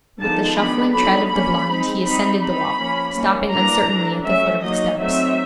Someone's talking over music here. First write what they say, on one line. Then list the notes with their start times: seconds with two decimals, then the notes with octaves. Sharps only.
With the shuffling tread of the blind he ascended the walk, stopping uncertainly at the foot of the steps.
0.20 D3 F3 G#3 B3 D#4 A5
0.56 D#3 G#3 B3 D4 B5
0.93 D3 F#3 B3 D#4 B5
1.30 G3 A#3 C#4 B5
1.67 G#3 C4 D#4
2.03 G3 C4 D#4 B5
2.41 G3 C4 D#4 B5
2.78 F3 A#3 C#4
3.14 D#3 G3 A#3 C#4
3.50 E3 G3 A#3 D4 A#5
3.88 E3 A3 D4
4.24 F#3 A3 C#4 E5
4.61 F#3 A#3 D#4 D#5
4.98 F#3 A3 C4 D#4 E5